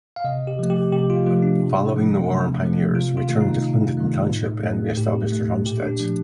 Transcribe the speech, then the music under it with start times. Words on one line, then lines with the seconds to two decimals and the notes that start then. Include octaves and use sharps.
Following the war the pioneers returned to Clinton Township and reestablished their homesteads.
0.16 F5
0.24 C3 D#5
0.47 G4
0.59 F3 A3
0.70 G4
0.92 C3 G4
1.10 F4
1.26 F3 A3 F4
1.42 D4
1.59 C3
1.94 F3 A3
2.27 C3
2.61 F3 A3
2.95 C3 F4
3.17 F4
3.28 D#3 A3
3.41 D#4
3.62 C3
3.97 D#3 A3
4.30 A2
4.64 A3
4.97 A2 G4
5.32 A3
5.66 A#2 G4
5.83 D4
6.00 F3 A3 D4